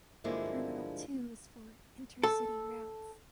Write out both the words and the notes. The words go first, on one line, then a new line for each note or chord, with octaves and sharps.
Terminal two is for intercity routes.
G2 D3 F3 G#3 A#3 E4
A4